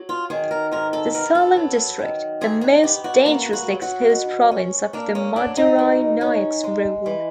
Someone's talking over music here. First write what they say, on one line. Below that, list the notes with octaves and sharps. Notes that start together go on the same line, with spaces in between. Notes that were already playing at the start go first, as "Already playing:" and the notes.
The Salem district, the most dangerously exposed province of the Madurai Nayaks rule.
Already playing: F#3
F4
D#3 G#4
A#4
G#2 A#4
A4
B3 A#4
A4
F#3
D#3
G#2 G#4
G#4
B3 G4
F#4
A#3 F#4
F#4
F#3
F#4
B2
C#4
A#3 D4
C#4
F#3 D4
D#4
B2
C#4
G#3
E3